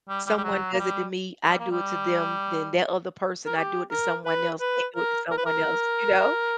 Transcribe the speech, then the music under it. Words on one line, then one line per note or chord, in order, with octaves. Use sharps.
Someone does it to me, I do it to them, then that other person, I do it to someone else, they do it to someone else, you know?
G3
G3
G3
F#3
A#3
G3
G3
A#3
G3
A#4
G4
A#4
B4
B4
A#4
A#4
B4
A#4